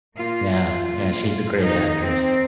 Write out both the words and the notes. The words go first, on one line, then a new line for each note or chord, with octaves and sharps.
Yeah, yeah, she's a great actress.
A#2 A#3 F4
F4
A#2 A#3
D#2 D#3 A#3 D#4
C4